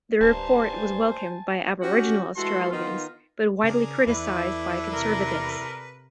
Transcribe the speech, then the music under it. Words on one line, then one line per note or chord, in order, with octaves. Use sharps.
The report was welcomed by Aboriginal Australians but widely criticised by conservatives.
D1 G2 C5 G#5 A5
C#4 F#4 G4
E3 G#3 A3 F#4 A5 C6
D#3 B3 D#4 F4
C#3 D4 G#4 A#4
E2 D4 E4 A4 B4
C3 A#4